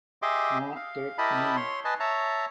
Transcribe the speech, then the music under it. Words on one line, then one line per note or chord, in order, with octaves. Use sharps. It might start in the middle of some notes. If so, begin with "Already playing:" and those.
Noh Tek Mi!
G4 G#4 D#5 E5 C6 D6
F5
E4 G4 A#4 D#5 A5 B5
C#5 C6
B4 D#5 G#5 A5
C#5 E5 A5 A#5